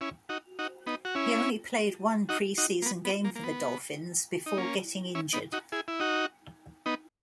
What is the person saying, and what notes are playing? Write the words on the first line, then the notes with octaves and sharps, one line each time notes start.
He only played one preseason game for the Dolphins before getting injured.
C#4 E4
D#4 F#4
D#4 F#4
B3 D#4
F#4
C#4 E4
D#4 F#4
D#4 F#4
A#3
B3
B3
A#3
A#3
B3
D#4
A#3 C#4
C#4 E4
B3 D#4
D#4 F#4
E4 G#4
E4
D#4 F#4
B3 D#4